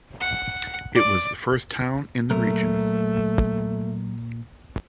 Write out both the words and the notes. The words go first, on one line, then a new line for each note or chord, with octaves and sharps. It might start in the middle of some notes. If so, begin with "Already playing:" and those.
It was the first town in the region.
F#5
D5
A#2 F#3 A3 A#4